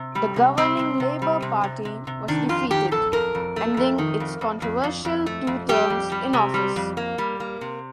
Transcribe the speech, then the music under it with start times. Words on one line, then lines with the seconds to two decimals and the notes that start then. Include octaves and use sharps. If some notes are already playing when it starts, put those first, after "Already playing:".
The governing Labour Party was defeated, ending its controversial two terms in office.
Already playing: C3
0.15 G3
0.36 C3
0.57 G3 C4
0.79 C3
1.00 C3
1.22 G3
1.42 C3
1.63 C3
1.85 C3
2.07 C3
2.28 D#3 D4
2.49 F2 F4
2.70 D#3 G4
2.91 F2 A4
3.13 F2 A#4
3.35 F2
3.56 A3
3.77 F2
3.98 D#3
4.20 F2
4.41 F2
4.62 F2
4.84 F2
5.05 F2
5.26 A3
5.47 F2
5.69 G3 G4
5.90 F2
6.12 G3
6.33 C3
6.54 G3
6.76 F2
6.97 A#3
7.18 G3
7.40 A#3
7.61 C3